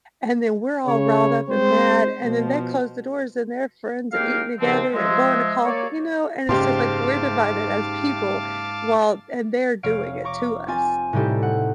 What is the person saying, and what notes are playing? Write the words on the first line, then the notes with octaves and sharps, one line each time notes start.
and then we're all riled up and mad and then they close the doors and they're friends and eating together and going to coff you know? And it's just like, we're divided as people while and they're doing it to us.
C#3 C#5
G#3 C4 C5
B2 F3
D#2 A#3 G#4 F5 G5 F6
D#2 C#3 F3 C4
F3 G#3 E5
A#3 C#5 D5
F#1 G#2 G4 F5 A5 C6 D6
F1 C#5 F5 D7
A#5 C#6 D6
C4 F4 G#5 A6
A2 C3 G3 D#4 G4 A4
F#5